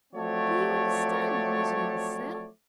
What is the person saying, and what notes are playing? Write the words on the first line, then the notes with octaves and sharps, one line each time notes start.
"Do you understand muslins, sir?"
F3 F#3 A3 C4 C#5 D5